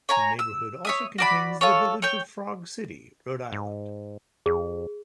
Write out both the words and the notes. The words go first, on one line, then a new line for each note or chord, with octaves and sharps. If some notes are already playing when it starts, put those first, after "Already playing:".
The neighborhood also contains the village of Frog City, Rhode Island.
C#5 G#5 A#5
E6
C#5 E5 D#6
F#4 D5 B5
F4 A4 C#5
C#5 G5
G#2
F2 G#4